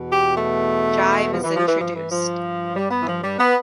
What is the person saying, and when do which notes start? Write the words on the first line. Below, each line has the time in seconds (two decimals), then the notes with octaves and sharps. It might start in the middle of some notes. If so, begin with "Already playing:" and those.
Jive is introduced.
Already playing: E2 B2
0.12 G4
0.36 A3
1.32 F3
1.44 E3
1.56 F3
1.67 E3
1.79 G2 E3 F3
1.95 E3
2.11 F3
2.75 G3
2.91 B3
3.02 E3
3.07 F3
3.23 G3
3.38 B3